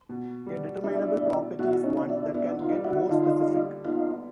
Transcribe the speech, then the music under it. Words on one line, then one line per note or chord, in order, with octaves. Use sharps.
A determinable property is one that can get more specific.
B2
G3
G3 D4 E4
B2
B2 E4 F#4
C#4 D#4
B2
D4 E4
B3 D4 E4
D#4 F4
G3
E4 F#4
D3 D#4 F4
G3
B3 D#4 F4